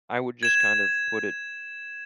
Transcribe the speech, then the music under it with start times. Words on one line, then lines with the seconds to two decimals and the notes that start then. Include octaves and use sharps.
I would just kind of put it
0.43 G#6 E7